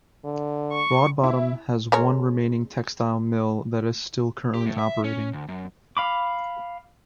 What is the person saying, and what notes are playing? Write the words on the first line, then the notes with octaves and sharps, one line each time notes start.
Broadbottom has one remaining textile mill that is still currently operating.
D3
C#6
E4
G#3 A#4 C#5
G4
A2
E5
C#4
D2
F#2
F5 B5 D6